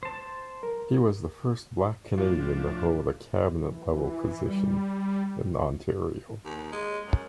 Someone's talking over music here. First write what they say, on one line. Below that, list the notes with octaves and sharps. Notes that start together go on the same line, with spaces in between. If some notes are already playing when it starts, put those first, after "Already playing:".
He was the first Black Canadian to hold a cabinet-level position in Ontario.
C5 A5
A#4
A2 F3 D4 F4
E3
G3
D#2
G#3
F#2